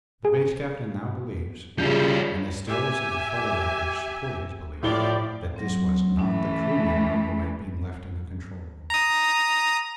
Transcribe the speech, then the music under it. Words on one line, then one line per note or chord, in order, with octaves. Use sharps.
The Base Captain now believes, and the stills of the photorecord support his belief, that this was not the crew member who had been left in the control room.
G#4
C#3 F3 G3 G6
G4 E5 G#5
A2 F3 E4 G4 D5 G7
F#3 C4
E3 A3 C#4
A#5 D#6